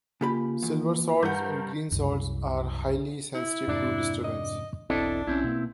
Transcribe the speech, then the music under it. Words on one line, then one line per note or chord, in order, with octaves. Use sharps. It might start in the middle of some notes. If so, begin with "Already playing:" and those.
Silverswords and greenswords are highly sensitive to disturbance.
C#3 A#3 F4 G4 B5
E2
G2 A#4 B4 F#5 G6
C2 F#2
E4
F2 G#2 C3 D4 D5
D#5
E1 B1 C4 D4 E4 A4 D#5
B1 C4 C#4 E4
B2 A#3